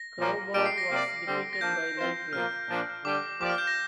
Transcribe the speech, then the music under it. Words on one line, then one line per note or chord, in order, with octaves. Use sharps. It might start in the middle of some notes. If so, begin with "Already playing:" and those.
Crowbar was defeated by Lightray.
Already playing: A#6
A#2 F3 A#3
A#2 G3 D4 G4 D7
C7
A#6
C3 A#3 G4 D5
D3 G3 C4
A#6
F3 A#3 D4 G6
F3 C4 F4 C5
A#2 F3 A#3 F6
A#2 F3 D4
D3 G3 D4 G4 D6
F3 A#3 G4 D5 D6
F6
G6
A#6